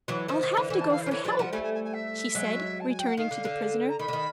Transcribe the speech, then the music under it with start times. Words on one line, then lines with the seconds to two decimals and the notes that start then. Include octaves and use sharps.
"I'll have to go for help," she said, returning to the prisoner.
0.08 E3 F#3
0.28 D#3 F3
0.43 D#3
0.57 D3 E3
0.70 D3 E3 G#5
0.80 A5
0.90 F5
1.01 C5
1.06 F3
1.11 D3 E3 C#5
1.24 E3 F#3 D5
1.39 F3 G3 F#5
1.52 G3 A3 G#5
1.63 G#5
1.73 G#5
1.83 G#5
1.93 E5
2.35 F#3 G#3
2.80 A5
2.88 G#5
2.98 G5
3.08 F#5
3.17 D#3 F5
3.31 D3
3.45 D3
3.88 A#5
3.99 D#3 B5
4.08 D3
4.13 D#3